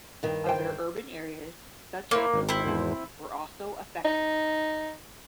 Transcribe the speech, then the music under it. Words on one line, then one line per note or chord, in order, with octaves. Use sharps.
Other urban areas, such as Pittsburgh, were also affected.
G2 D#3
C5 G5
A#3 E4 C5 C#5
G#1
C4 E4
G#1 E2 C5
D#4